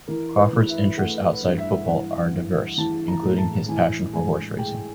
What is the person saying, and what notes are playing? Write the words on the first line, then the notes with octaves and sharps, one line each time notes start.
Crawford's interests outside football are diverse, including his passion for horse racing.
E3 A#4
B4
E3
E5
A3 F#5
G2
E5
E3 F#5
E3
E3 A5
A#5
A2
A5
E3 G#5
G#3 G#5
G#3 G5